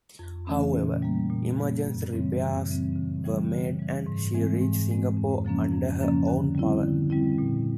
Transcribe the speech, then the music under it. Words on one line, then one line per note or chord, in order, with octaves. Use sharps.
However, emergency repairs were made and she reached Singapore under her own power.
F2
C#3 E3 A3 C#4
A#2
G3 A#3
A#2
G3 A#3
F#2
C#3 E3 G3 C4
F#2
C#3 E3 G3 C4
C#3
E3 G3
C#3
E3 G3
G#2
E3 G#3 C4
G#2
E3 G#3 C4
F2
C#3 F3 A#3 C#4
F2
C#3 F3 A#3 C#4
D3
G3 C4 E4
D3
G3 C4 E4
A#2